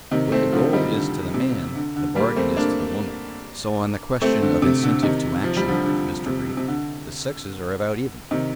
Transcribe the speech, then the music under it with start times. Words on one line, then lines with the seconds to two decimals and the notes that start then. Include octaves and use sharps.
What the goal is to the man the bargain is to the woman, so on the question of incentive to action, Mr. Brief, the sexes are about even.
0.11 C3 D#3
0.32 A3 C4
0.52 D3 F3
0.73 D#3 G3
0.94 D3
1.34 C3
1.75 D3
1.96 D3
2.16 G3 A#3
2.36 A3 C4
2.57 A#3 D4
4.22 A3 C4
4.42 D3
4.62 C3
4.83 D3
5.03 C3 D#3
5.44 F3
5.57 G3
5.68 D3 F3
5.85 D3
6.26 C3
6.57 C3
6.68 D3
8.31 C3 D#3